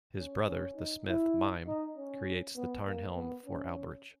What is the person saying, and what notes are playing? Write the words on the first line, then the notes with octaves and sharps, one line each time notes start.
His brother, the smith Mime, creates the Tarnhelm for Alberich.
C#4
C#4
D#4
E4
D#4
C#4
B3
A#3
B3
C#4